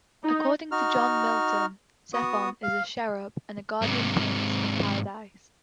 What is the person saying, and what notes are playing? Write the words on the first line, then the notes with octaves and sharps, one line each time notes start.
According to John Milton, Zephon is a cherub and a guardian prince of Paradise.
D#4
D#4 F#4 F6
B3 F#4 D#6
F5
G#2 C3